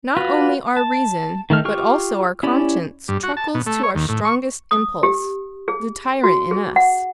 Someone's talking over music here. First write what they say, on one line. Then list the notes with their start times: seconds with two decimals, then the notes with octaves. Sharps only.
Not only our reason, but also our conscience, truckles to our strongest impulse--the tyrant in us.
0.17 F4 F#4 B4
0.77 A5
1.50 D#3 A3 D#4 F6
1.65 F4 G4 C#6 F6
2.43 C#4 E4 G4 D5
3.08 G2
3.23 F#4
3.37 A5
3.54 B2
3.67 A3
3.83 C#5
3.95 D#2
4.09 A2
4.25 C#6
4.71 D#6
5.03 G4
5.68 G#4
6.24 F#4
6.51 G#4
6.76 F#5